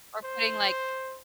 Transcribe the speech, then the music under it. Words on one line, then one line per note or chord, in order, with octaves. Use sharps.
or putting, like,
C5